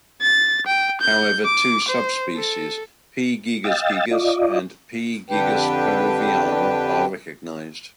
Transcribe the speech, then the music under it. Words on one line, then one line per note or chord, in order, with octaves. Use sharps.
However two subspecies "P. gigas gigas" and "P. gigas peruviana" are recognised.
A6
G5
G6
D6
C5
A4
D#5 F5 G5 E6 A6
F4 D5 D#5
F2 D3 D4 G4 B4 G5